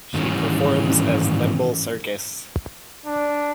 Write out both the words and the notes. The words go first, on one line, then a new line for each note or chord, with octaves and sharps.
She performs as Thimble Circus.
G#2 D#3 E3 G3 C#4
D4